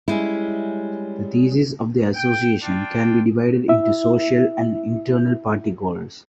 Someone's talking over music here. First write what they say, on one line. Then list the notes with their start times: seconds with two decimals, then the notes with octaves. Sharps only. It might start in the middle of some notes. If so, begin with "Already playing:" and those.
The theses of the association can be divided into social and internal party goals.
0.08 G3 G#3 C#4 E4
2.14 G5
2.61 D4 F4 G5
3.68 E4 E5